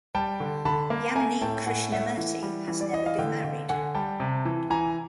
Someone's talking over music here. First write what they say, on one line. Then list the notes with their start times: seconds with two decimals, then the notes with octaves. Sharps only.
Yamini Krishnamurthy has never been married.
0.15 G3 G5 A5
0.40 D3
0.65 D3 A5 B5
0.90 A#3
1.16 A3 G#5 A#5
1.41 A2 G5 A5
1.66 A2 F#5 G#5
1.92 A3 E5 F#5
2.17 E3
2.43 G3
2.68 E3
2.81 D5
2.93 E3 D#5
3.06 D#5 F5
3.18 D3 F5 G5
3.44 D3
3.69 D3 F#5 G#5
3.95 G3 G5 A5
4.20 C3
4.45 E3
4.70 E3 G#5 A#5